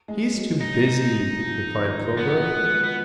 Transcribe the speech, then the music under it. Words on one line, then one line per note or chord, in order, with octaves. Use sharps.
"He's too busy," replied Clover.
G#3
F#3
D#4
F3
D#3
F3 B3
F#3
G#3
A#3
B3